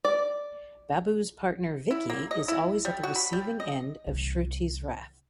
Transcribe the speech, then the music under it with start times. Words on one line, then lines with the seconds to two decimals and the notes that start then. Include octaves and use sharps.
Babbu’s partner Vicky is always at the receiving end of Shruti’s wrath.
0.05 D5
1.91 E4
2.10 A#3
2.31 D#5
2.48 E4
2.85 G3
3.03 F#4
3.16 B5
3.33 G3
3.60 D#5
4.07 C2 E3